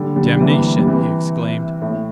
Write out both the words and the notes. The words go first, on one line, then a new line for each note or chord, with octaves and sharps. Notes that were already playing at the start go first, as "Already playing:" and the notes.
"Damnation!" he exclaimed.
Already playing: D3 G3
D3 G3
G3
C3 E3
G3
C3 E3
A2